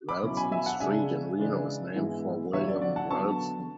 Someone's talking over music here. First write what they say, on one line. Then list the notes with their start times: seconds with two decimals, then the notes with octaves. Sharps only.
Ralston Street in Reno is named for William Ralston.
0.09 B5 D6
0.23 B2 F#3 C#4 E4
0.37 G#5 B5
0.52 E5 G#5
0.66 F#5 A5
0.80 C#3 G#3 D4 E5 G#5
1.38 C#3 E3 G#3 D4
1.95 G#2 E3 G#3 B3 E4
2.53 E2 D3 F#3 C#5 E5
2.68 D5
2.82 D5 F#5
2.96 F#5 A5
3.10 D3 F#3 B3 A5 C#6